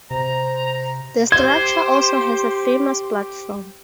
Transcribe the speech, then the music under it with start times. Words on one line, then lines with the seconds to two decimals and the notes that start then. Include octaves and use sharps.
The structure also has a famous platform.
0.11 C3 C5 A#5
1.32 G4 C5 G#6